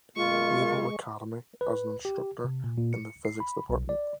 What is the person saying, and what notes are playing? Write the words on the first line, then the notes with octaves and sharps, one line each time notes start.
Naval Academy as an instructor in the Physics Department.
F#2 B2 G#3 A#3 F4 C#6
B4
G4
C3
A#2
A#2
C#7
C7
B5
B1
D5